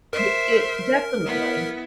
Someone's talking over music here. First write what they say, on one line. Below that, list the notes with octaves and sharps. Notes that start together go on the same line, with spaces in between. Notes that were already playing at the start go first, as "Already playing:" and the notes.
Ye it definitely.
A#4 C5 E5
B3 E4